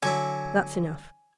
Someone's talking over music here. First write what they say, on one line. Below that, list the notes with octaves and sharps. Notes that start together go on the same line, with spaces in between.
That's enough.'
D3 F#3 E4 G#5